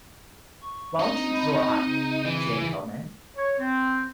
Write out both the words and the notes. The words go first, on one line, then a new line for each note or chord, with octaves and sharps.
Won't you draw up, gentlemen.
C#6
C4 D#4
D#5 B5
C#3
E3
C#5
C4